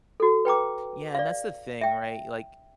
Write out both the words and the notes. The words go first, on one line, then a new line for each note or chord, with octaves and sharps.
Yeah, and that's the thing, right? Like,
F#4 A4
B4 G5 A#5 D6
D5 F5
E5 G5